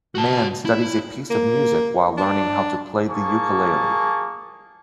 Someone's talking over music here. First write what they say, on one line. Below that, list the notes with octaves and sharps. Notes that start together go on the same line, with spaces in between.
Man studies a piece of music while learning how to play the ukulele.
F#4 A5
E4
A#3
D4
A#3 G#4 A5 C#6